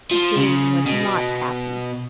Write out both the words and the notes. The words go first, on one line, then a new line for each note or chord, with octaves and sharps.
Jane was not happy.
F3
C#3
B2